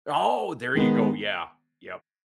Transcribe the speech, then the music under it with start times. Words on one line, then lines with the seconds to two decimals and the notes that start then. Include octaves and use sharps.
Oh, there you go, yeah, yep.
0.75 D#3 G#3 B3